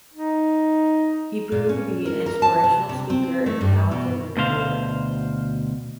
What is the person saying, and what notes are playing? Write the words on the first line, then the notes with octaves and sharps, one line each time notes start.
He proved to be an inspirational speaker and talented recruiter.
D#4
A#2
C#4
A#4
A#4
A5
C3
C3
C4
A3
G2
B2
D2 B2 C5 F5